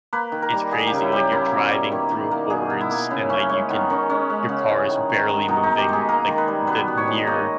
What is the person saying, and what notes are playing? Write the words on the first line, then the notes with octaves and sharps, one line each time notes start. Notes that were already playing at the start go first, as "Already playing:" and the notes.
it's crazy, like, you're driving through hordes, and, like, you can your car is barely moving, like, the near
A#3 B4
D#3
A#4
G3
A#3 G#4
C#3 G4
E4
G3 G4
A#3 E4
B2
G3
D#3
D#3
A#3
B2 G#4
B2
E4
A#3
C#3 E4
C#3 C#4
G#3 C#4
D#3 B3
D#3 C#4
G#3 C#4
G#3
C#3
E3
D#3
D#3
G#3
B2 D#4
D#4
B2
G4
G#3 G#4
A#3 A#4
D#3
B4
G3
B2 B4
B2
C#5
G#3
A#3 D#5